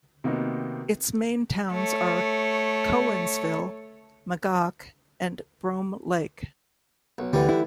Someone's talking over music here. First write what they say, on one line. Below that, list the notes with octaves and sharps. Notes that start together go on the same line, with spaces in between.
Its main towns are Cowansville, Magog, and Brome Lake.
C3 D#3 A#3 B3 D#4 F#4
A3 C#5
B1
D2 D3 E3 G3
E4